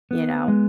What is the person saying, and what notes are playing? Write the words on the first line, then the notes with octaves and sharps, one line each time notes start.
You know?
B3
G#3